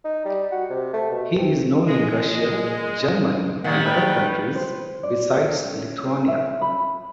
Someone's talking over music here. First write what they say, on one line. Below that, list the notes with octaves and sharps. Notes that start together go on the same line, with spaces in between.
He is known in Russia, Germany, and other countries besides Lithuania.
D#4
G3
F#4
C3
A3
B2
C4
A#2 G#3
D#3 G3 F#5
B4 G5
C5
D5
C#4
C5
E5
B5